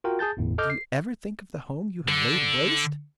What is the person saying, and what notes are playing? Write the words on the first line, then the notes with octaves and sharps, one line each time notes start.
Do you ever think of the home you have laid waste?'
F4 F#4 A#4 G5
G#4 A5 G6 A6
G1 E2 A2
A4 D#5 D6 F6 G6
C7
D3